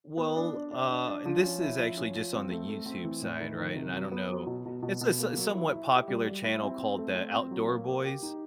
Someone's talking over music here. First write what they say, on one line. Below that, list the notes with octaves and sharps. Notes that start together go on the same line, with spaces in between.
Well, ah and this is actually just on the YouTube side, right? And I don’t know it's a s somewhat popular channel called the Outdoor Boys.
B3
D4
D4
D4
D4
D4
F3
C#4
E4
F3
C#4
F3
C4
A3
A3
C4
E3
A2
D#3
D#3
C3
F#3
B3
F#3
B2
B2
B2
B2
A#3
F#3
E4
E4
G4
G3
G3
E4
C4
C4
A3
C4
C4
F#3
A#3
G4
G4
D#4